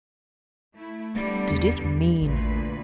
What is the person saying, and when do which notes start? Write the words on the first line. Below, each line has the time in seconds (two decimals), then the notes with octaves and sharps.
What did it mean?
0.74 A3 E4
1.15 D3 G3 B3
1.50 E2
1.83 E2
2.20 A1 D2 A#2 B4